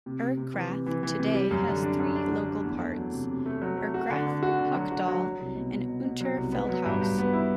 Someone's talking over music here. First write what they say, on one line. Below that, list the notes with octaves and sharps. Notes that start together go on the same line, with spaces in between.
Erkrath today has three local parts: Erkrath, Hochdahl and Unterfeldhaus.
C3
C3
C3
E3
C3
E3
E3
C3
G3
F#2
D3
D4
F#2
D4
D3
D4
E2
A3
F#3
C3
C3
A3
F#3
A3
F#4
D3
D3
F#4
D3
F#3
F#4
F#3
F#3
C2
B2
B2
B2
B2
F#3
C2
B3
F#3
G2
G2
B3
E4